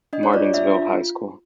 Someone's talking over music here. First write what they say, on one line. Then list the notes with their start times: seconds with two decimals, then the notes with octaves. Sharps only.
Martinsville High School.
0.13 D4 D#5
0.23 C#5
0.33 F4 D5
0.54 D4 E5
0.74 F4